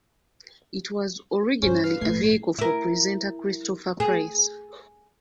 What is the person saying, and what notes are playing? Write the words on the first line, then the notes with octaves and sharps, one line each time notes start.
It was originally a vehicle for presenter Christopher Price.
G2 C#3 C#4 C5
B4 F5
A#1 G#2 A3 G#6 C7
E4 A#4
G#4